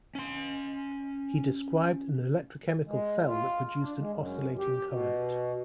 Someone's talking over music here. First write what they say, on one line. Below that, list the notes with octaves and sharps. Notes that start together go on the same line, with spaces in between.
He described an electrochemical cell that produced an oscillating current.
C#4 C6
G#3
F4
D4
G#3
F#2
G4
B2